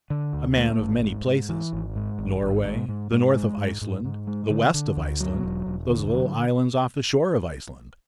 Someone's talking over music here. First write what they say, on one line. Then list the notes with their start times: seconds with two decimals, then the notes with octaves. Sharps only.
A man of many places--Norway, the north of Iceland, the west of Iceland, those little islands off the shore of Iceland.
0.10 D3
0.33 D2
0.57 A3
0.80 G#1
1.03 G#2
1.26 G#2
1.49 E3
1.73 G#1
1.96 G#2
2.18 G#1
2.42 G#1
2.65 G#2
2.89 G#2
3.11 G#2
3.35 G#3
3.57 G#2
3.81 G#2
4.05 G#2
4.27 G#3
4.50 D3
4.74 D3
4.97 D2
5.20 F#3
5.43 E1
5.66 E1
5.89 D3
6.13 F#3